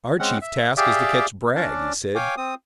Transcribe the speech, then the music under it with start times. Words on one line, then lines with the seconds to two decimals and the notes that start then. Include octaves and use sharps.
"Our chief task is to catch Bragg," he said.
0.19 G#3 C4 C#4 F#5
0.42 E5
0.77 G4 G#4 D5 E5 F5 G5
1.55 C#4 D4 D5
2.15 C#5 F5 G5 G#5 D6
2.37 C4 D#6